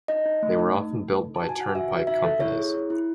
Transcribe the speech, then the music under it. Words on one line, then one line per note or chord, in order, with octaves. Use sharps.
They were often built by turnpike companies.
D#4 D#5
D#4
A3
D#4
A3
A3
A4
D#4
A5
F#4
G#5
F#4 F#5
F#4 E5
F#4
D#4 E5
A4
E4 C#5
G#4
E4
E4